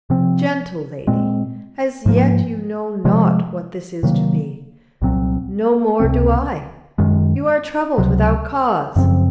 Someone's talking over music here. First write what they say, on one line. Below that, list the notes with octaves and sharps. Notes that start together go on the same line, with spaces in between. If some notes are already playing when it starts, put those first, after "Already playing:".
Gentle lady, as yet you know not what this is to be; no more do I. You are troubled without cause.
C3 F3 C4
A#2 G#3 C4
G#2 F3 A#3
C3 F3 G#3
C3 D#3 F#3 A#3
C2 A#2 F#3 C4
C#2 C3 F3 C4
F#2 D#3 G#3
C#2 C3 F#3
F#2 C#3 F3 C4